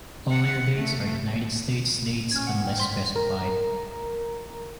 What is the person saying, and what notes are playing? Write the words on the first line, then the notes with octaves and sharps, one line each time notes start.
All airdates are United States dates unless specified.
F#5
A3
C#4 F6 G#6
F#5
G5
C5 C6 B6
A#4 A#5